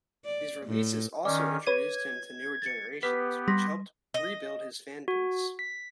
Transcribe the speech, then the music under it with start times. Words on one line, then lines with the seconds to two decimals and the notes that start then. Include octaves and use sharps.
These releases also introduced him to newer generations, which helped rebuild his fan base.
0.25 D5
0.66 A2
1.25 D#3 C#4 D5 D#5 D6
1.67 B4 C#5 G#6 D#7
2.62 A6 C#7
3.03 B3 G4 B4 B6
3.48 G3 C6 A#6 B6
4.14 D#5
5.08 F#4
5.59 B6